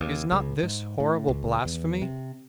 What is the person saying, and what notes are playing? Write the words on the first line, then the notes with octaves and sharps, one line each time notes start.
Is not this horrible blasphemy?
D#2
C#2
G#2
A2
C#2
E2
C3